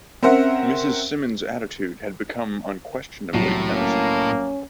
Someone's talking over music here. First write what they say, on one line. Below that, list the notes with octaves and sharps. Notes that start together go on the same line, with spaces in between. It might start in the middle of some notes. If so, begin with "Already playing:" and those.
Mrs. Simmons's attitude had become unquestionably menacing.
C4 C#4 A#4 C5 E5 F#5
C2 A2 F#3
A#3 C#4